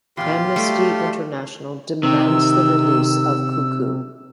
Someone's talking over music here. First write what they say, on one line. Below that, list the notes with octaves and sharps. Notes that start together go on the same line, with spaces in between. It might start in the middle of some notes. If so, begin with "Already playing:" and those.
Amnesty International demands the release of Kuku.
E2 A#2 F4 G4 C6
G3 A3
C3 D#3 E6